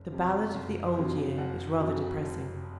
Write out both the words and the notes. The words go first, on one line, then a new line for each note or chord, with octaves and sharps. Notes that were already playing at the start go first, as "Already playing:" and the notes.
The Ballad of the Old Year is rather depressing.
Already playing: F#1
F2 C3 F#3
F#1
F2 C3 F#3
F#1 F#5
F2 C3 F#3
F#1